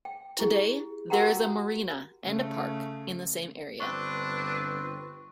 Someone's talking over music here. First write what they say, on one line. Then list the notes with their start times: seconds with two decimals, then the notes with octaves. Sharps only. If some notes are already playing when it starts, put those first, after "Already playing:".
Today there is a marina and a park in the same area.
0.05 G5
0.39 E4 G4 G#4
1.10 F#4 G4 A#4 F#5 G5 A#5
2.24 C#3 A3
3.80 G1 C4 D4 B4 C#6